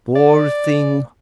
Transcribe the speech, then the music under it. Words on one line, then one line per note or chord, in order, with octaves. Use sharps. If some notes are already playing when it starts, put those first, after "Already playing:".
Poor thing!
D5